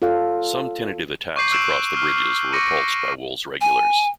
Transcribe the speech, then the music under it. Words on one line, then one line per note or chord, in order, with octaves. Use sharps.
Some tentative attacks across the bridges were repulsed by Wool's regulars.
F4 A4 C#5 F5
C#6 D6 G6 C7 F#7
C#6 E6 F#6 D7 E7 F#7
F6
C#6 D6 A#6 C#7 D#7
G#5